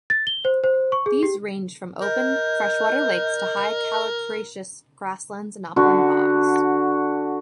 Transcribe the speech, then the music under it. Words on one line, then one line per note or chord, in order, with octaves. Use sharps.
These range from open freshwater lakes to high calcareous grasslands and upland bogs.
A6
G7
C5
C5
C#6
G#4
G4
A#4 D#5 G6
D3 F#4